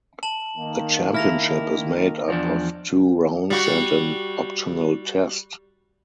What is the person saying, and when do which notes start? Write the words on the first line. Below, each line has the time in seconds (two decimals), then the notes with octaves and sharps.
The championship is made up of two rounds and an optional test.
0.23 A5 E7 F#7
0.57 D#3 A#3
1.14 E4 F6 A#6 F7
2.28 E2 F3 D4
3.50 G3 F#4